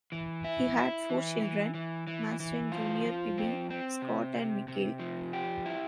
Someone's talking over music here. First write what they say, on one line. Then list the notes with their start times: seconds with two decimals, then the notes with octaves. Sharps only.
He had four children, Masten Junior Debbie, Scott and Michael.
0.12 E3
0.44 E4
0.78 E4
1.10 E3
1.42 E3
1.74 E3
2.07 E3
2.40 E3
2.72 F4
3.05 F3
3.38 C4
3.70 C4
4.02 C3
4.36 C3
4.68 C3
5.00 F3
5.33 G4
5.66 E4